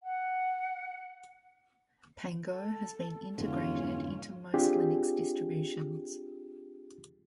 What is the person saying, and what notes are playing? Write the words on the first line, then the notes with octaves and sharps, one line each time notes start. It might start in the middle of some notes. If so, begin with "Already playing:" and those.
Pango has been integrated into most Linux distributions.
F#5
A4
E1 F2 G#2 D3 C#4 F4
C4 D4 F4 G4 G#4